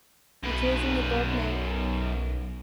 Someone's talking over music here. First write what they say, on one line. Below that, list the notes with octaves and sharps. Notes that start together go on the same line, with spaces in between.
He trails only Bob Knight.
B1 F#2 B4